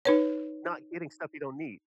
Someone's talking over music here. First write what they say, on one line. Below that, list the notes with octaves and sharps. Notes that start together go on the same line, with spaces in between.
not getting stuff you don't need.
D#4 B4 C#5